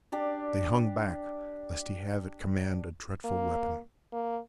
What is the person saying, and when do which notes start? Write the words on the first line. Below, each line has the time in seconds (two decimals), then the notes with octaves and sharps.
They hung back lest he have at command a dreadful weapon.
0.12 D4 G4 D5
3.24 A#3
4.13 A#3